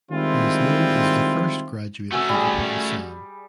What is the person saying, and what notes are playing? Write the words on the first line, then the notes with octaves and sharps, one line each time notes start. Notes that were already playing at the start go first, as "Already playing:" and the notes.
He is known as the first graduate from upper Assam.
D#3 G3 G#3 C4 E4 F4
A3 C#4 F#4 G#5 E6
G3 G#4